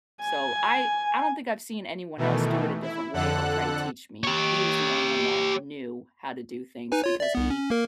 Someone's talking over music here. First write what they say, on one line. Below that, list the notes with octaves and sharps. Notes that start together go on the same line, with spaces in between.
So, I I don't think I've seen anyone else do it a different way or try to teach me. He was the only one that knew how to do things because he
G#5
B2 D#3 E3 A3
E4
F2 D3 A4 F#5 F#6
G4 C#5
D#4 B4 G#5
F4 C#5
D5 E5
C2 B3
C#4
A#3 A#4